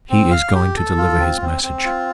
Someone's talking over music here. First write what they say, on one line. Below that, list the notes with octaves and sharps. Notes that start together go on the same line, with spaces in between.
He is going to deliver his message.
C4
F5
G4
A4
F4
C4
C4
C4
F4